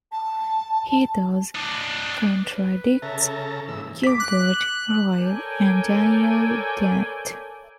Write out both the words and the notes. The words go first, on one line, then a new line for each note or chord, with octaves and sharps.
He thus contradicts Gilbert Ryle and Daniel Dennett.
A5
D4 D#5
B4
C#3 A4 E5 A#5
G#2 E3 A#3 E6
D6 B6
F#6
A4 A#4 C#5 D5 G5 G#5